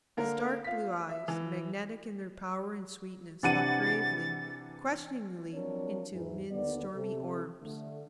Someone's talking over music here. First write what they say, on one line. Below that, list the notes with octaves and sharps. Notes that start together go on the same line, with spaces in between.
His dark-blue eyes, magnetic in their power and sweetness, looked gravely, questioningly, into Min's stormy orbs.
D3 A#3 A#4
F4 B6
E5
E3
C3 E3 D4 F#5 A6 D#7
F3 F#3 C4 D4 A#4 C#5
E2 G#2 E3
D#2 D3 B3 D5
C3 A4
D3 A3